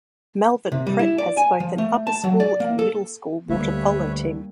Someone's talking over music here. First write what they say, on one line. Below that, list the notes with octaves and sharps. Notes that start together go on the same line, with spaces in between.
Malvern Prep has both an Upper School and a Middle School water polo team.
C3
G3
E4
D5
G#5
F3
A3
A5
F#3
D5
A#3
A4
D2 G3 A#3 B4 C#5 E5